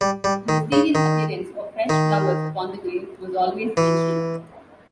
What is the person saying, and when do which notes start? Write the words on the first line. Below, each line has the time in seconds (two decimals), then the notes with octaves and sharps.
The mysterious appearance of fresh flowers upon the grave was always mentioned.
0.01 G3
0.24 G3
0.49 D#3
0.72 C#3
0.95 D#3
1.89 D#3
3.77 E3